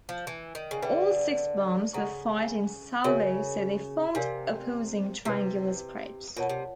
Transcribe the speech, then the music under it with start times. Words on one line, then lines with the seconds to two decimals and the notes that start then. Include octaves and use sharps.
All six bombs were fired in salvo so they formed opposing triangular spreads.
0.09 F3
0.27 E3
0.55 D#3
0.71 C#3
0.82 D3 G#4 B4 E5 G5 B5
1.93 C#3 A4 D5 F#5 A#5 C#6
3.04 C#3 F#4 A#4 C#5 E5
4.15 C3 A#4 D5 F5 G#5 C6
5.25 C3 E4 G4 B4
6.36 B2 F4 A#4 C#5 F#5 A5
6.50 C3